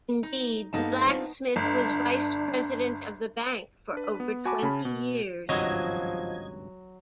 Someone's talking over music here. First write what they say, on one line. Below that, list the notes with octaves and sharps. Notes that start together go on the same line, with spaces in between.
Indeed, the blacksmith was Vice-President of the bank for over twenty years.
D#4
G2 A#3 B3 D#4 A4 A5
C4 D4 F4
G1 D4
D4 B4
B3
F#4 G#5 A5 B5 D6
C#3 C#4 A5 B5
B2
G#1 C#2 G2 F3 F#3 D#5 G#6